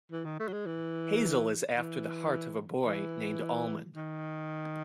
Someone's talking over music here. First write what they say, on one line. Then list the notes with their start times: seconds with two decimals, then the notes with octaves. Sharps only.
Hazel is after the heart of a boy named Almond.
0.12 E3
0.25 D#3
0.40 A3
0.48 F#3
0.53 G#3
0.66 E3
1.76 E3
2.85 E3
3.95 D#3